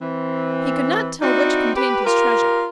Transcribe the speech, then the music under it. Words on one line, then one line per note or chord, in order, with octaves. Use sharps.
He could not tell which contained his treasure.
E3 C4
C4 D#4 E4 F#4 D5
G4 B4
F4 G4 A#4